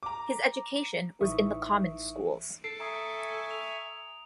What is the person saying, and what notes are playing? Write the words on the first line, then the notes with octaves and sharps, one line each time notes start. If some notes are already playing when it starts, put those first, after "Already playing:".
His education was in the common schools.
A#5 D6
A1 E3 D#4 E5 C#6 D#6
A4 C7 D7
E5 G#5 A#5 C#6 D#6
F7